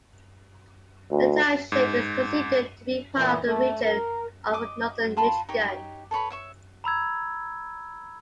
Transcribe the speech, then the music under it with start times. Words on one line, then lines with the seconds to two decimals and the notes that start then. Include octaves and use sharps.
The township is considered to be part of the region of Northern Michigan.
1.11 D2
1.72 G#2
3.17 A#2 E3
3.47 A3
3.83 A#4
4.53 D#5 D6
5.17 F4 A5 B5 C6
5.49 D#4 G4 C#5
6.11 A4 B4 C#5 B5
6.30 C#5 E5 C#6
6.84 A#5 B5 E6 G#6